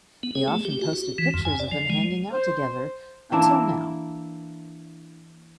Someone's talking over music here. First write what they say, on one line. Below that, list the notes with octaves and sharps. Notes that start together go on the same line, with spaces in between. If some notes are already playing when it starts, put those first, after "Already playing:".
They often posted pictures of them hanging out together until now.
B3
G#4
A3
G4
F#4
F#4
E3
F2
G#5
D5
F3
G#3
C5
E3 A#3 D4 E4